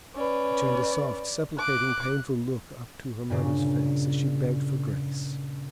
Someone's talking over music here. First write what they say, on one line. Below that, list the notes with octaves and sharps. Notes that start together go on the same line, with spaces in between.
She turned a soft supplicating painful look up to her mother's face as she begged for grace.
C#4 B4 D5
D6 F#6
G2 A#2 C#3